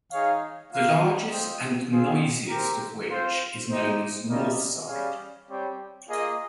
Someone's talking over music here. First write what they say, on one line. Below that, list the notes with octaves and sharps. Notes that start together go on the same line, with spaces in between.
The largest and noisiest of which is known as North Side.
D#4 G#4 C#5 F5
A#3 F4 A#4 F5
C4 F4 C5 D#5 G5
C4 F4 G#4
C4 G4 A#4
C4 F4 C5
D#4 G4 C5
G3 C#4 F4 A#4 D#5
G3 C#4 G#4 C#5 F5
G3 C4 G4 C#5 G5
A#3 F4 G#4 D#5